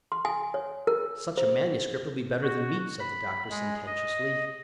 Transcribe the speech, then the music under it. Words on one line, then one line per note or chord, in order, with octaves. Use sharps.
"Such a manuscript'll be better than meat," said the doctor, sententiously.
C6
G#5
C#5
A#4
C5
F#4
B5
G#3
D#5